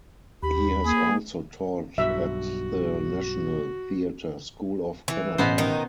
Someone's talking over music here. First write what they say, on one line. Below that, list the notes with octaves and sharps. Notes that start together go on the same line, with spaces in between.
He has also taught at the National Theatre School of Canada.
D#2 G4 B5
A#3 G#4
B1 G2 F#4 E5
E3
A1 B2 B3 C5
D#3 D#4